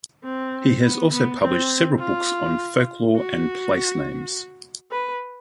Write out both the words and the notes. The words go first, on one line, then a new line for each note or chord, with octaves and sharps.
He has also published several books on folklore and place names.
C4
B3
B3
C4
F4
F#4
B4